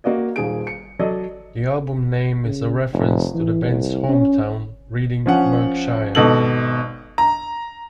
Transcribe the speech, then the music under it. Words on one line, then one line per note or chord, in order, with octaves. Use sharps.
The album name is a reference to the band's hometown, Reading, Berkshire.
A#3 F#4 D5 D#5
D#1 D#2 G#4 D7
C#7
F#3 A4 D5 D#5
C#3
F1
E3
C2
C#4
F3 C#4 F#5
G#1 B2 A4 F#7
A#5